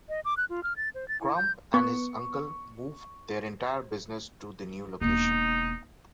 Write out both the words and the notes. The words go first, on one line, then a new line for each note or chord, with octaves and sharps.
Crump and his uncle moved their entire business to the new location.
D#5
D6
F#6
F4
F6
A6
C5
A6
E4
G6
B3 C#6
E1 A#3 D#4